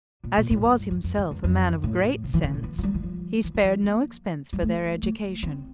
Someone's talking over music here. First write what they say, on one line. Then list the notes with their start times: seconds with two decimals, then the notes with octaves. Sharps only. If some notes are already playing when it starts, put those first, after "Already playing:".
As he was himself a man of great sense, he spared no expense for their education.
0.24 A#2
0.37 A#2
0.50 A2
0.65 G2
0.91 E2
1.04 F2
1.18 F2
1.31 E2
1.44 F2
1.84 A2
2.24 C3
2.34 E3
2.44 D3
2.54 A#2
2.64 E3
2.78 F3
2.83 G3
2.94 E3
3.03 F3
3.44 E3
3.55 E3
3.63 F3
3.83 A#3
4.53 G3
4.63 A3
5.03 A3
5.43 C4